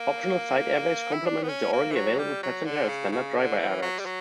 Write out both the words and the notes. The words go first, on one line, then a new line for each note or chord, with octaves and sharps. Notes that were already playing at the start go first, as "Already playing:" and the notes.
Optional side airbags complemented the already available passenger and standard driver airbags.
Already playing: A#3
E4
D4
B3
C#4
A#3
E3
F#3
G3
F#3
D3
C#3
C#3
D3
E3
F#3
G3
F#3